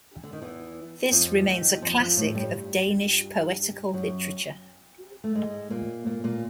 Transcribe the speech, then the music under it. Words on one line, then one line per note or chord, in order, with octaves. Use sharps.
This remains a classic of Danish poetical literature.
D3
D#3
E2 E3
F2 F3
D#2 D#3
F2 F3
F2 F3
A2 A3
G2 G3
F#2 F#3
A3
G#2 G#3
A#2 A#3
A#2 A#3
A#2 A#3